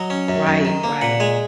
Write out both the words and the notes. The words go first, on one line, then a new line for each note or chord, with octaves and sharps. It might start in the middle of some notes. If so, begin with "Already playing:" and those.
Right, right.
Already playing: F#3 D#5
C#4
F#2
F#2
D#3
A#3
A#2 F#5
G#3 G#5